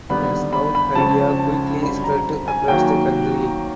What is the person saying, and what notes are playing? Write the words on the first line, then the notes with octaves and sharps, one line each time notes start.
The Scout idea quickly spread across the country.
D#2 D3 G3 B3 B5
B5
B5
C#2 C#3 F3 A5
A5
F#2 D3 G3 C4 B5
A#5
G#5
D#3 F#3 A#3 G5